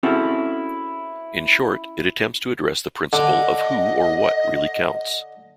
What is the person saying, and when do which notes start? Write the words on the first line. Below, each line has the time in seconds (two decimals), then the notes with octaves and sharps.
In short, it attempts to address the principle of who or what really counts.
0.03 C4 C#4 E4 F#4 G#4 A4
3.13 D3 D#5